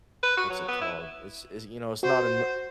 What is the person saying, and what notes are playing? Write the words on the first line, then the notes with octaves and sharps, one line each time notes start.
What's it called? It's it's, you know, it's not eno
B4
F#4
F#3
B3
E4
F#4 C5